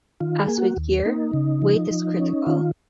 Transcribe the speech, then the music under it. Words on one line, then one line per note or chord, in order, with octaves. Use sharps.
As with gear, weight is critical.
D#3 F4
G#4
A#3
F#4
D#2
A#3 D#4
C#3
F3
F3
C#4
D#3 F4